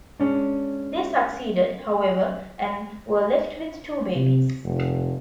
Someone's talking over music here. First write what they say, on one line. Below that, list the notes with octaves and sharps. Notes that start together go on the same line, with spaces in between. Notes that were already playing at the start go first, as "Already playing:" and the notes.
They succeeded, however, and were left with two babies.
G#3 C#4 D4
C3
F1